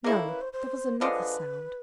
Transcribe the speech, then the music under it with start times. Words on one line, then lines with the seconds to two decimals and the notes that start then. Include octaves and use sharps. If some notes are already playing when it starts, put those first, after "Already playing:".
No; there was another sound.
0.04 A#3 C#4 E4 G#4
0.17 A4
0.28 B4
0.41 C5
0.53 C5
1.01 D3 F3 G#3 B4